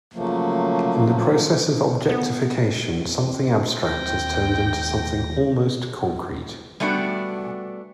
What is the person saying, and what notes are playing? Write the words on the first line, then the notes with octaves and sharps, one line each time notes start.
In the process of objectification something abstract is turned into something almost concrete.
C#3 F3 F#3 A3 A#3
B3
C4
D#2 G5 A#6
G3 A3 B3 D4 F#4